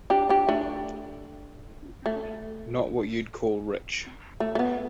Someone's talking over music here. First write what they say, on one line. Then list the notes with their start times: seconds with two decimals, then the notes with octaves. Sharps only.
Not what you'd call rich.
0.10 D4 G4
0.29 D4 G4
0.49 A3 D4
2.06 A3
4.40 A3
4.55 A3
4.59 B3